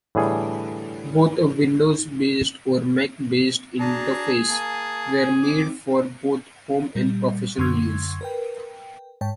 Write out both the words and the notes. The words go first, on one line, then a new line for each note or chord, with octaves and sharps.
Both a Windows-based or Mac-based interface were made for both home and professional use.
A2 D3 E3 G3 G#4
D4 F#4 G#4 A5 A#5
A#3 G#5 A5
C4 D6
A#2 G3
F#2 D3 C6 C#6 E6 G#6
A#4 B4 G5
G#2 C#5 G5 A5